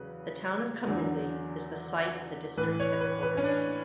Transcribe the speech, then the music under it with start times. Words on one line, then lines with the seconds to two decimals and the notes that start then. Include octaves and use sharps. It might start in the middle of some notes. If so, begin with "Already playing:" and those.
The town of Kamuli is the site of the district headquarters.
Already playing: E2 C#3 F#3 B4
0.85 E2 D3 F#3
2.57 A2 E3 B4
2.80 C#5
3.01 B4
3.22 B4
3.37 C#4
3.44 D4